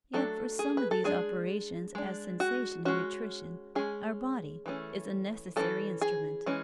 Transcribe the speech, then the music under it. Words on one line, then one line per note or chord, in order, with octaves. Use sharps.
Yet for some of these operations, as sensation and nutrition, our body is a necessary instrument.
F#3 A3 D4 A4
G#4
B4
A4
G#3 D4 G#4
G#3 D4
F#4
G#3 C#4 F#4
G#3 C#4 G#4
E3 A3 C#4
E3 A3 C#4 A4
G#4
E3 G#3 C#4